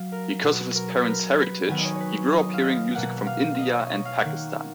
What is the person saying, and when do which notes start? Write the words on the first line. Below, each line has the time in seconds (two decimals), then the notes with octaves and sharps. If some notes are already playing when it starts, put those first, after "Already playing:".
Because of his parents' heritage, he grew up hearing music from India and Pakistan.
Already playing: F#3 F5
0.12 A#4
0.43 B2 F#3 B3 F#4
0.75 A#4
1.01 A#4 B4
1.38 B4
1.68 D#3 F#3 B3 G#5
1.79 D#5
1.85 C#5
1.95 C#5
2.00 B4
2.32 D#5
2.54 F5
2.64 D#5
2.95 B2 A#3 F#5
3.26 F5
3.58 D#5
3.74 C#5
3.89 D#5
4.05 F5
4.21 D#3 A#3 F#5